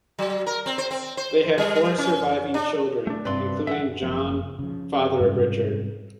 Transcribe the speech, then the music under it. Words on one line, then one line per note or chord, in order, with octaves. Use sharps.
They had four surviving children, including John, father of Richard.
F#3
A#4
C4
C5
C4
C5
G3
C#4
D4
A3 D4
G2 C3 B4 D5 C6
E3 E5 F#5
F#1 F3 A#3
C#3 F3
G#2 C3 G3 C#4